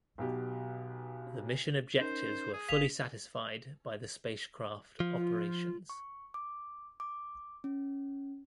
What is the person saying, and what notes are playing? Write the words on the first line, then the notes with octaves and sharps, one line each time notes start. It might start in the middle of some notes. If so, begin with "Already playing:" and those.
The mission objectives were fully satisfied by the spacecraft operations.
B1 B2 G4
C#4 D#4 A#4 C5
G#4
G1 F5 B6 F7
F3
F4
C#6
D6
D6
C#4